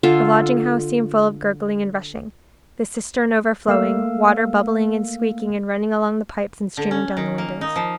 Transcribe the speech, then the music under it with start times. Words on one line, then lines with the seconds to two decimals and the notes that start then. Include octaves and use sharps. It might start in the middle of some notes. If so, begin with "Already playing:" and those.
The lodging-house seemed full of gurgling and rushing; the cistern overflowing; water bubbling and squeaking and running along the pipes and streaming down the windows.
0.03 D3 F4 A4 F5
3.67 A3 A#3 F5 E6
6.77 D3
6.91 C#4
7.17 D#3
7.38 A#3
7.61 D#4
7.76 F3